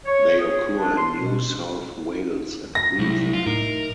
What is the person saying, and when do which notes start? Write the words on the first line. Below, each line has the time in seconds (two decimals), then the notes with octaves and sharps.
They occur in New South Wales and Queensland.
0.06 C#5
0.38 G#4
0.77 D4
0.96 C6
1.19 B2
2.75 A#6
2.99 C2 F#3 E4
3.33 F4
3.46 A2 D#4 A#4